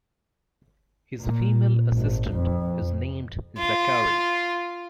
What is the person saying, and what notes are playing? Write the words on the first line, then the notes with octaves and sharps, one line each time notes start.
His female assistant is named Zachary.
A#2
G#1
F2
F4